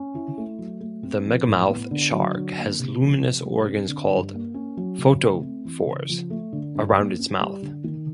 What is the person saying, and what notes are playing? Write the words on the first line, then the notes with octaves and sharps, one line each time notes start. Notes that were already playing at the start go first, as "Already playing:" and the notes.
The megamouth shark has luminous organs called photophores around its mouth.
Already playing: C#4
E4
A3
F#3
A3
C4
F3
A2
B3
D3
F#3
D3
A#3
C3
F3
C3
G3
C4
D3
G2
A#3
C#4
F#3
C#3
A3
C4
E3
C#3
F3
A3
D3
G2
A#3
C#4
G3
D3
D#3